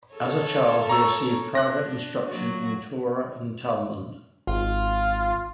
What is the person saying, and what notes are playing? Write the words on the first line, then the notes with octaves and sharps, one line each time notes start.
As a child he received private instruction in Torah and Talmud.
A4 A#4 C#5
A#5 C#6 E6
D4 F#6 A#6
F#3 A#3 F#4
G#1 F4